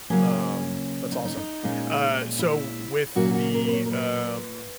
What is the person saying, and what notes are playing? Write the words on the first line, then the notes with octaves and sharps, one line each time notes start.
Um, that's awesome. Uh, so, with the, um
C#3 F#3 A#3 C#4 G#4
D#4
D#4
D#4
A#2 G#3 C#4
E4
A#2 F#3 A#3 C#4 F#4
F#4
A#4
B4
C#5
A#4
B4